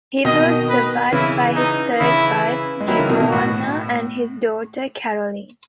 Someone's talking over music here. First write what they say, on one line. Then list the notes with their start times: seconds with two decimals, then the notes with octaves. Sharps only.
He was survived by his third wife Giovanna, and his daughter Caroline.
0.25 B2 D#3 D#5
0.70 B4
1.13 C#3 E3 E4
1.56 D#4
2.00 C#3 E3 E4
2.80 G#3
2.88 D#3 F#3 E4
2.99 C#3 E3
3.09 B2 D#3
3.20 B2
3.31 A2 F#4